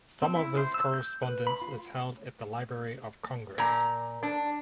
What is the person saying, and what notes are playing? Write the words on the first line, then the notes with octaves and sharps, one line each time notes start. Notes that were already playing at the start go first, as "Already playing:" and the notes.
Some of his correspondence is held at the Library of Congress.
C4
E4
C5
E6
G6
B4
B5
F4
A#2 A#5
D4